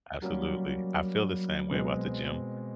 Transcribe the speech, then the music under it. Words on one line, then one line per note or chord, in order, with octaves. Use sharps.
Absolutely. I feel the same way about the gym.
F#3 G3 A#3 C#4 F#4 A#4
B2 G#3 C4